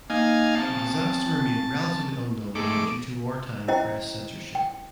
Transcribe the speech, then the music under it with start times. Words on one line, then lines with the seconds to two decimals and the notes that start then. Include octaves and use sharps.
The disaster remained relatively unknown due to wartime press censorship.
0.10 A#3 D#4 F5 G#5
0.55 C4 C#4 F5 A5
2.55 F2 G#2 A3 G#4 A4 D6
3.68 C#4 E4 C5 D#5 G5 A#5
4.55 G5